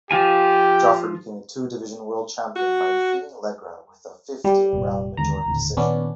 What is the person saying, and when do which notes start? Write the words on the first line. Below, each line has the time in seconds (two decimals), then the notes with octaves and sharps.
Jofre became a two-division world champion by defeating Legra with a fifteen-round majority decision.
0.11 F3 F4 G4 G#5
2.56 F#4
4.44 G3
4.73 F1 A#2
5.17 D#2 G#2 D3 A#5
5.46 D#1 A2 D3
5.77 A#2 D#3 B3 C#4 D4